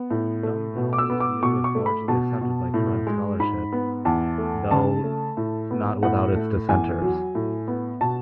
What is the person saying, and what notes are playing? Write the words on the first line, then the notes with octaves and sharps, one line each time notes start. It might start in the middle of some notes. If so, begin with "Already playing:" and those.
Dumville's view is largely accepted by current scholarship, though not without its dissenters.
Already playing: B3
A2
A3
B2
D6
E6
B3
D6
B2 C#6
C#6
A3
B5
B2 A5
B2
A2
G#3
G#2 B5
B3
E2 A5
A3
C#3 A5
A3
A2
B3
A2 F#5
A3
E2 G#5
F#3
A2
B3
B2 A5